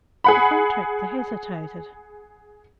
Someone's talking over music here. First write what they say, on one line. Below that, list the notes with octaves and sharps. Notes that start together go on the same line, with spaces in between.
The contractor hesitated.
G#4 F#5 B5